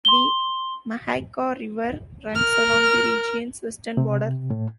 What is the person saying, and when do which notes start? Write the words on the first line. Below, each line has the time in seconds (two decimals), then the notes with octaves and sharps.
The Mahaica River runs along the region's western border.
0.05 C6 G7
2.35 A#4 F6
3.97 C3
4.50 A2